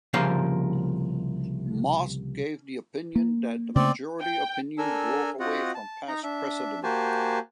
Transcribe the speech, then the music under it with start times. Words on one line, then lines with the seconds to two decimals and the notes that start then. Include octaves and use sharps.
Mosk gave the opinion that the majority opinion broke away from past precedent.
0.13 C2 C#3 F3 A#3 C5 F5
3.16 A#3
3.76 C#3 A3 C4 D5
4.21 G5
4.78 D4 A4 A#4 G#5 E6
5.40 C4 F4 F#4 D#5 F#5
5.75 A5
6.08 D#4 A#5
6.23 D4 E5
6.83 A#3 F#4 G4 C5 G#5 A5